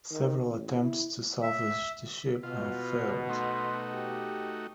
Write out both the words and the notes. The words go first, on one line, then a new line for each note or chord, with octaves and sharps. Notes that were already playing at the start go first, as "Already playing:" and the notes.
Several attempts to salvage the ship have failed.
D#3
A1
E4
E5
B2 B3 F4
A3 D#4 F#4 C6
G4